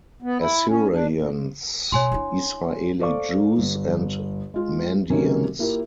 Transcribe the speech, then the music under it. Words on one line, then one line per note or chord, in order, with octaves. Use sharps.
Assyrians, Israeli Jews, and Mandeans.
B3
E4
C#4
D4
A#2
B2 C#5 G#5 C6
D4 E4
A4 C5 D5 F5 C#6 D6
G1
G#3 F4
C3 D#3 F#3 A#3 C#4 A#4
A#3 E4 F4 G4 A#4